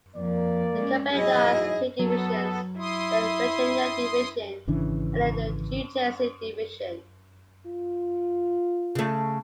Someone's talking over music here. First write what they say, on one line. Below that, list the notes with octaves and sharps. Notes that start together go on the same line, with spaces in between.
The company now has two divisions; the "Virginia Division", and the "New Jersey Division".
F2 A#3 D5
G#3 C#4
G#2 F#3 E4 G#4 D#5
F#3 B3 A4
E4 C6 D#6
G#1 C#3 E3 D4
F4
C#3 A3